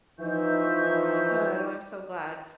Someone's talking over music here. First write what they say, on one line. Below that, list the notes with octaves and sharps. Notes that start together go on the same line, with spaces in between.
Good. Oh, I'm so glad.
E3 F3 D#4 F4 B4 E5 C#6 G6